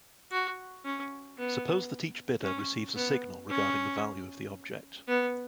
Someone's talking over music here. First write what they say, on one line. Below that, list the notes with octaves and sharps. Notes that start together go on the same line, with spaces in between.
Suppose that each bidder, receives a signal regarding the value of the object.
F#4
C#4
B3
C#4
B3
C#4
B3